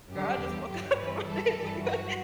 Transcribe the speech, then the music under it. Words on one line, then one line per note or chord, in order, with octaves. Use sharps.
"Girl, I just woke up and my day is good."
F#2 D3 G3 G4
E2 D3 G3
G2 D3 F#3 G4
G2 E3 G3 B4
G2 E3 G3 A4
G2 E3 G3
G2 F#3 F#4